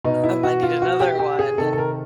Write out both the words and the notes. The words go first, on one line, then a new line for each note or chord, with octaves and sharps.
I might need another one then."
B2 D#4
E4
F#4
F4
F#4
G4
G4
G#4
C3 D#3 A4
A4
A#4